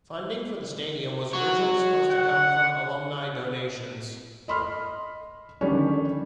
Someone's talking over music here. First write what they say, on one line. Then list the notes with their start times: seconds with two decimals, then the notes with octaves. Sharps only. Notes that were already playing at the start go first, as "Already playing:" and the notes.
Funding for the stadium was originally supposed to come from alumni donations.
1.33 F#4 C#5
2.10 F#5
4.48 D#5 B5 C6 F6
5.61 D3 D#3 G3 C#4